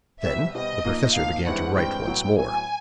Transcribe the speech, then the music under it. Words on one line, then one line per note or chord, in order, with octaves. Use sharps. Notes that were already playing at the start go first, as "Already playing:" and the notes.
Then the professor began to write once more.
C2 B2 G3 C4 E5
C2 B2 G3 C4 D#5
A#2 F3 A#3 D#4
A#2 F3 A#3 D#4 F5
G2 E3 G#3 C4 E4 F#5
G2 E3 G#3 C4 E4 G5
A2 F#3 B3
A2 F#3 B3 G#5